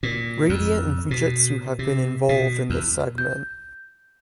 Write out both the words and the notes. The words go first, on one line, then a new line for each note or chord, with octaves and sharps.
Radiant and Fujitsu have been involved in this segment.
A#2
F2
B2
C3
B2
E2
G6